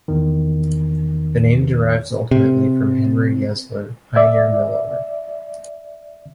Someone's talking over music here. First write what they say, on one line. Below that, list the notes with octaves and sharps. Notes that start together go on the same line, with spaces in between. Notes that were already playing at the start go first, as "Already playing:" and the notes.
The name derives ultimately from Henry Yesler, pioneer mill owner.
E2 D#3
C3
D5 E5